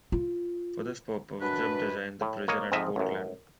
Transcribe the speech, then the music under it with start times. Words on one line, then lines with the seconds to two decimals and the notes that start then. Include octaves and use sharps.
For this purpose Jebb designed the prison at Portland.
0.12 F4
1.41 F#2 B2 D4 B4
2.21 A2
2.48 A#3 C#5 D#5
2.72 F2 G#2 F3 D#5 E5
2.96 A1 F#2